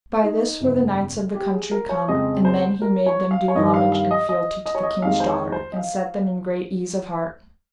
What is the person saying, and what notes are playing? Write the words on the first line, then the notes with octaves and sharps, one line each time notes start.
By this were the knights of the country come, and then he made them do homage and fealty to the king's daughter, and set them in great ease of heart.
D#4
G1 F2 C#3
G4
G#4
A#4
C#5
F2 C#3 G#3 C4 D#5
C5
A#4
C#5
F5
C#5
G2 D#3 G3 D#5
F5
F5
D#5
D#5
D#5
C#5
D#5
F2 D#3 G#3 F5
C5
C#5
C5
D#5
F5